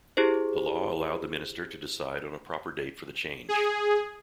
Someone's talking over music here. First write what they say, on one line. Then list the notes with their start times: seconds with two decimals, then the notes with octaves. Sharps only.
The law allowed the minister to decide on a proper date for the change.
0.17 E4 G4 G#4 C5
3.49 G#4